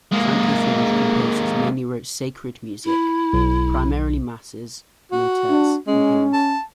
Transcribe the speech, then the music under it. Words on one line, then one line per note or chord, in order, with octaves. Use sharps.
Franco-Flemish composers mainly wrote sacred music, primarily masses, motets and hymns.
G#3 A#3
E4
B1
F#4
D4
G#3 C#4
A5